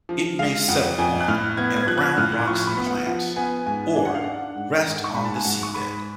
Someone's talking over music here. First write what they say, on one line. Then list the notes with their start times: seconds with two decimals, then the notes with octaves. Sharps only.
It may settle on and around rocks and plants, or rest on the seabed.
0.09 F3
0.39 G#3 F5
0.68 F2 F#5
0.98 F2 G#5
1.20 F#6
1.28 A2 F6
1.57 B3 G#6
1.76 G#6
1.87 F3 F#6
1.98 F#6
2.02 F6
2.17 A2 F6
2.32 F#6
2.47 F3 C#6
2.67 B5
2.77 B3
2.87 F#5
3.06 F3 F#5
3.36 B3 G#5
3.66 G#2 G#5
3.96 D4 G#5
4.05 F#5
4.15 F5
4.24 D4 F#5
4.55 G#2
4.85 G#2
5.04 C#6
5.14 G#2 B5
5.25 A5
5.34 G#5
5.44 G#2 F#5
5.63 C#6
5.74 G#2 B5